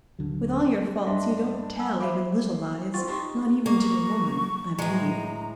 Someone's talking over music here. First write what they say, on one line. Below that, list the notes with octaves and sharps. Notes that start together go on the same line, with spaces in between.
With all your faults, you don't tell even little lies; not even to a woman--I believe.
D#1 B1 D3 F#3
G2 G3 D4 D#5 E5 C6
G#5 A5 E6
C5 E5 F5 B5 D6
C4 F4 G5 C#6 A6
D#4 G4 C6 C#6
A#3 C#6
A2 G#3 A#5